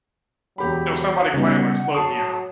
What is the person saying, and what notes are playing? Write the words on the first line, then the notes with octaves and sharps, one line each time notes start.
know, somebody playing, like, slow piano.
E1 F#3 G4 B5
C#3 G3 B3 C#4 D#4 F#5
F#3 A5 C#6 D#6 C7